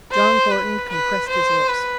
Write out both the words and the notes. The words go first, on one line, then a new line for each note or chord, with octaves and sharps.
John Thornton compressed his lips.
C5
B4
B4
C5
B4